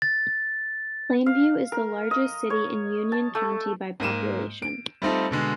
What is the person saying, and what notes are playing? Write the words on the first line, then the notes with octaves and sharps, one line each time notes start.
Plainview is the largest city in Union County by population.
A6
F5
A#4
D#5
C#5
A5
A3
G#2 A#3 D#7 E7
D7
G3 A3 C4 D#4 F4 A4
B2 D3 G#3